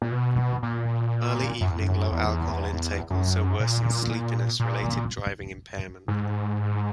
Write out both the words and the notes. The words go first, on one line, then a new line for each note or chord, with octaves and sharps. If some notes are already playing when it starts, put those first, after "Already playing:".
Early evening low alcohol intake also worsens sleepiness-related driving impairment.
A#2
B2
A#2
F#2
E2
F#2
E2
F#2
A#2
A#2
G#2